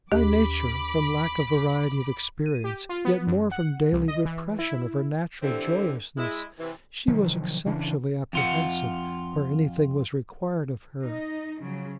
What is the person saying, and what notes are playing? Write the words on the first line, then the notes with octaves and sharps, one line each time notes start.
By nature, from lack of variety of experience, yet more from daily repression of her natural joyousness, she was exceptionally apprehensive where anything was required of her.
D#2 G4 B5 D6
D#7
G4
F4
B3
F#2
F#5
C2
D#5
E3
E4
D3 E3 C4 G4 A4
G#3 E4
C3 E3
C3 D#3 F3 F#3
C#3 E3 D4
F2 F4 F#5
D#4 D#5
C#3 F3 F#3